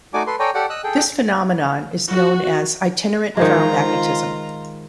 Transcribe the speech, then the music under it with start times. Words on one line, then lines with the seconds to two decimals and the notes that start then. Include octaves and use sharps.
This phenomenon is known as "itinerant ferromagnetism".
0.14 A3 D#4 F#4 D5 G#5 D6
0.27 A4 B4 C6
0.40 A4 C#5 D5 G5 G#5 A#5
0.55 G4 A4 D5 F#5
0.70 D#5 E6 F#6
0.84 G#4 A4 G5
2.08 F#4
3.37 D#3 F3 G#3 F4 A#5